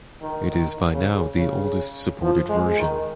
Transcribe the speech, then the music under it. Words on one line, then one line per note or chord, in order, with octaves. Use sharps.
It is by now the oldest supported version.
D#3
D#3
C#3
C#3
F3
G#3
D#3